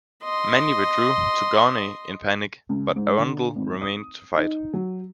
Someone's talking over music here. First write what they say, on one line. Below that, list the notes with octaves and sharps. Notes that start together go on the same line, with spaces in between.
Many withdrew to Gournay in panic, but Arundel remained to fight.
D#5 C6
C#2
G#2
D3
G#1
D#6
D#4
F#3